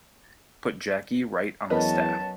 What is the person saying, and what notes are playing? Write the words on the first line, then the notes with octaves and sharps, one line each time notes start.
Put Jackie right on the staff.
E2 F#3 B3 C#4 A#4 B4 D#5 A5